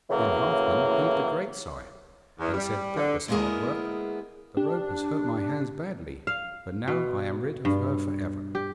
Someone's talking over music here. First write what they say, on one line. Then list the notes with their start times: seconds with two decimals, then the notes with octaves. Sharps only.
Then Halfman heaved a great sigh and said, 'That was hard work; the rope has hurt my hands badly, but now I am rid of her for ever.'
0.10 A2 C#3 E3 F#3 A#3
2.39 E2
2.53 G3
2.95 D3
3.28 G#3 A#3 B3 E4 G#4 A#4
4.57 D4 G4
6.27 F5
6.88 B2
7.65 G2
8.55 G4